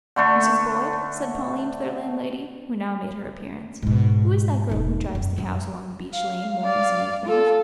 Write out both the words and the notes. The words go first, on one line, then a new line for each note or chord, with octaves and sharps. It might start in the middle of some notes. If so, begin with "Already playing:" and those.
"Mrs. Boyd," said Pauline to their landlady, who now made her appearance, "who is that girl who drives the cows along the beech lane mornings and evenings?"
D3 A3 D4 C#6
G#2 B2
E1 D#4
F#2
F#2
F5
D5 F5
F4 A4